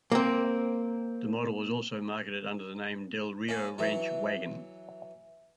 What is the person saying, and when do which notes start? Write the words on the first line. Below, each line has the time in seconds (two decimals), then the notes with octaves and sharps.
The model was also marketed under the name Del Rio Ranch Wagon.
0.12 A#3 C4
3.48 A#3 C#4
3.78 E3 F#3